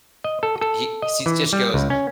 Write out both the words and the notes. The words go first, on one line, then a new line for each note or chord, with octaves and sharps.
uh, he sees just goes
D#5
A4
A4
D#5
E3
G3
C#2
C#4